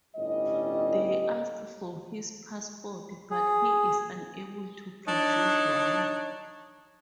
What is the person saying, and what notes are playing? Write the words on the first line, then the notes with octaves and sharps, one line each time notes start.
They ask for his passport, but he is unable to produce one.
G1 A2 G3 C#4 D#5
G#4
D4 D#4 C#5